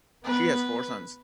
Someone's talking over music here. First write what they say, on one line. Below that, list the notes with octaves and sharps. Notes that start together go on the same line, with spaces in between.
She has four sons.
B3 B4